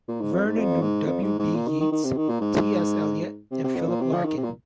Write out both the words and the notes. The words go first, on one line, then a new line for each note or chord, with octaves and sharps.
Vernon knew W. B. Yeats, T. S. Eliot and Philip Larkin.
A#2
G#2
F2
G#2
F2
G#2
F2
G#2
G#2
A#2
D#3
D#3
D#3
C3
D#3
A#2
G#2
C3
C3
F2
A#2
C3
F3
D#3
C3
A#2